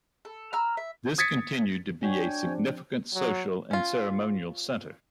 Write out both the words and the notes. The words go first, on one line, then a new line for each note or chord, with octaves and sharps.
This continued to be a significant social and ceremonial center.
A4
A#5 E6 F6
E5
D#6 G#6 A6 B6 C#7
D4 F#4 C#5 G5 G#5
F3 C4 G4
F#3
C#4 F4